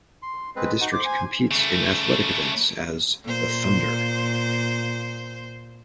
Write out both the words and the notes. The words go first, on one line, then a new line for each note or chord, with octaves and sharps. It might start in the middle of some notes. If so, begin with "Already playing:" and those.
The district competes in athletic events as the Thunder.
C6
G#3 C4 B4
D#4 F#4 F#5
C5 D6
G#5
C#3 A3
A#2 C5